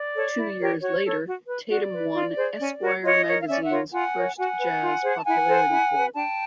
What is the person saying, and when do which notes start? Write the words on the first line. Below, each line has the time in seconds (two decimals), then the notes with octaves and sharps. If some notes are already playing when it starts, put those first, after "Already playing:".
Two years later Tatum won "Esquire" magazine's first jazz popularity poll.
Already playing: D5
0.15 A4 C#5
0.36 E4
0.59 G4 A#4 C#5
0.81 F#4 C#5
1.04 A4 C#5
1.25 F#4
1.48 B4
1.70 F#4 D5
1.93 B4
2.14 F4
2.36 G#4 C5
2.59 C#4
2.81 F#4 A#4 C#5
3.03 F4 C#5 D#5
3.25 A#4 C#5
3.42 F5
3.47 C#4 D5 E5
3.63 E5 F#5
3.70 F4 A#4 C#5
3.92 F4 F#5 G#5
4.14 A#4 C#5
4.36 F#4 F#5 G#5
4.59 B4
4.82 F4
5.03 G#4 C5
5.17 A5
5.25 E4 F#5 G#5
5.47 A4 C5
5.70 E4
5.91 G#4 B4
6.14 D4 G5 A5